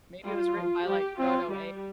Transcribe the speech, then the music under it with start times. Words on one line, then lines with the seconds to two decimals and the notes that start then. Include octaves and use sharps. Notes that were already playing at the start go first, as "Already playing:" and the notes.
Maybe it was written by, like, Proto AI,
0.24 G3 F4
0.56 F3
0.87 G3 G4
1.19 C4 F4
1.51 G3